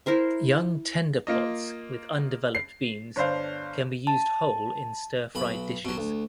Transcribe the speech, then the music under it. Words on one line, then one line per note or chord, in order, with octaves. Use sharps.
Young tender pods with undeveloped beans can be used whole in stir-fried dishes.
E4 A#4 C5 E5
A#3 F4 D#5
C7
G1 D4 C5 F5
A5
B1 B5
B2 F#3
D2